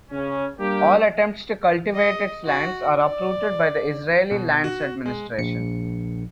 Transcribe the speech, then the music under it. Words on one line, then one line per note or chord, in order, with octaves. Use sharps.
All attempts to cultivate its lands are uprooted by the Israeli Lands Administration.
C#3 C#4
G3 A#3 D4 G4
D#5
F#4
D5
B2
F#4
G#3
A#1 C#7